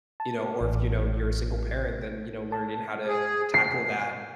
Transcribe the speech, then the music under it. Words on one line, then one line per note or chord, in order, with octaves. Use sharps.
you know, or if, you know, you're a single parent, then, you know, learning how to tackle that
A5
A1
A5
G#4
C7